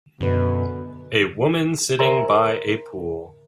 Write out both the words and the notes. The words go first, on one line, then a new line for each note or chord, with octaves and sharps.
A woman sitting by a pool.
F#2 B2 D3 B4
A#4 C5 E5 G#5 A#5 C6